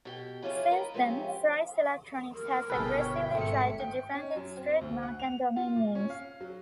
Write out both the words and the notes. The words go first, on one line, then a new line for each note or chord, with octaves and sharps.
Since then, Fry's Electronics has aggressively tried to defend its trademark and domain names.
B2 G4 G5
E3 F3 C#4 E4 F4 G#4
A#4 B4 D#5
F3 G#3 C4 C#4 F4 G4
A#4
G1 B2 G#4 A4 B4 G5
C#5
G#1 A3 C4 E5 C#7
G5
C#4
F#2
C4
D2
F#5
F7
F4
A#2
C#4
F5
F#3